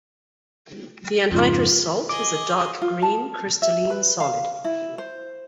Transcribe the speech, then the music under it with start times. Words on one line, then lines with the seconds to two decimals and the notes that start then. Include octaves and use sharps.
The anhydrous salt is a dark green crystalline solid.
1.32 F2 G#2 C#3 F4
2.09 G#4 D#5 D6
2.82 F4
3.02 A5
3.62 E5
3.90 B4
4.20 F5
4.64 E4
4.98 C5